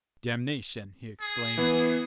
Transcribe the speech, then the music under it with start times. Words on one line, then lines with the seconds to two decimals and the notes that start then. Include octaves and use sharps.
"Damnation!" he exclaimed.
1.21 G#4
1.58 E3 B3